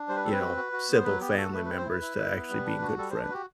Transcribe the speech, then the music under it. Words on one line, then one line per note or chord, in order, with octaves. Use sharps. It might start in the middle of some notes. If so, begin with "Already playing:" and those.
you know, civil family members to actually being good friends.
Already playing: D4
G3 C5
B4
C4 A4
B4
F#4
F#4
F#4
B3
C5
F#3 B4
B3 G4
F#4 A4
A3 B4
C4 B4
C5
E4 B4
E4
E4
B3
G3
D4
F#4
G3 A4
D4 C5
B4
F#4 G4